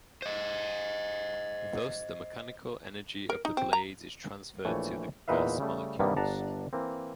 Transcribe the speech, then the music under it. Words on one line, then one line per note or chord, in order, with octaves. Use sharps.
Thus the mechanical energy of the blades is transferred to the gas molecules.
C5 D#5
A#4
D#4
C4
A#5
A#1 E3 A3 C#5 G5
E2 A#2 D#4 B4 E5 F5
C#3 G3 A3
G2 C3 D#3 G3 A#3 B3
G1 D4 F#5 A5 A#5
E3 A#3 C4